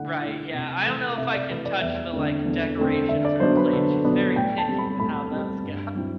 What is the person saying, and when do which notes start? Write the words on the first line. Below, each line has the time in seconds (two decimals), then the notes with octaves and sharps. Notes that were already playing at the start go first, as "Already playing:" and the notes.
Right, yeah. I don't know if I can touch the, like, decorations or plates. She's very picky with how those go.
Already playing: D3 A3 E4 F#5
0.22 A3 E4
0.54 C3
0.86 E3 A3
1.18 C3 E5
1.34 D5
1.50 E3 A3 B4
1.65 D5
1.81 E2 E5
2.13 D3 A3 C4
2.45 E2
2.78 D3 A3 C4
3.08 D3 E5
3.25 D5
3.40 F#3 B3 D4 C5
3.57 B4
3.73 D3 A4
4.05 F#3 B3 D4
4.36 A2 G5
4.58 A5
4.68 G3 C4
4.78 B5
5.00 A2 B5
5.31 G3 C4
5.63 G2
5.95 F#3 C4 E4